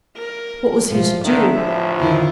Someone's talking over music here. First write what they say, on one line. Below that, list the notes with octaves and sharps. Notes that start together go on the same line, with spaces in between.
What was he to do?
A#4
B1 G#2 F3 A3
D3 D#3 D4 E5
A1 D2 F3
E2 D3 D#3 E4 F4